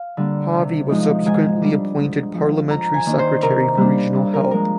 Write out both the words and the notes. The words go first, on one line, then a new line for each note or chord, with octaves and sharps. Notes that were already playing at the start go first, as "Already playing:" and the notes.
Pavey was subsequently appointed Parliamentary Secretary for Regional Health.
Already playing: F5
D3 G3 A#3
C3
F3 G#3 D#4
G#2 G#5
G3 D4
G#2
F3 G#3 C4
F2 A#5
G#5
D#3 A#3 D4
C5
C3 A#4
G3 A#3 D4
G2
A#4
F3 G#3 A#4